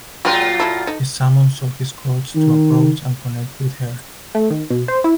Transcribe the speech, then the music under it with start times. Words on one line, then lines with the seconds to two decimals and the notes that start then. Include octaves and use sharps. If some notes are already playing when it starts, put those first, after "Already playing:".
He summons all his courage to approach and connect with her.
0.25 A#2 F#3 G#3 A#3 C4 F4
0.60 E4 A4
0.87 D#4 A4
2.35 D#3
4.35 A3
4.50 D#3
4.70 B2
4.88 C5
5.04 E4